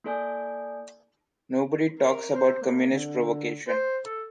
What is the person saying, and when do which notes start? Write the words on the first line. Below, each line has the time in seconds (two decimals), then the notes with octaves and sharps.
Nobody talks about Communist provocation.
0.04 A#3 E4 A4 D5 G#5 G6
1.99 A#4
2.35 C5
2.62 A#3
2.91 D3
3.68 C5
4.05 A4